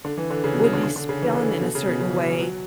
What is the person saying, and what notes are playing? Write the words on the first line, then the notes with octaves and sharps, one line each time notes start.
would be spun in a certain way
D3
E3
D3
C#3
B2
C#3
D3
D3
D3
C#3
E3
D3
E3
B2
C#3
B2
C#3
E3
F#3
E3
F#3